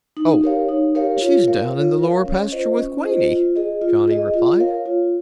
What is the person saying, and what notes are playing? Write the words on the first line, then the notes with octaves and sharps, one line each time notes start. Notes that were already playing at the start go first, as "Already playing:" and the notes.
"Oh, she's down in the lower pasture with Queenie," Johnny replied.
D#4
G4 A#4 C#5 F5
D#4
G4 A#4 C#5 F5
F4
A#4 C#5 F5
F4
A#4 C#5 F5
C#4
F4 C5 D#5
C#4
F4 C5 D#5
F4
G#4 D#5
F4
G#4 D#5
F4
A#4 C#5 F5
F4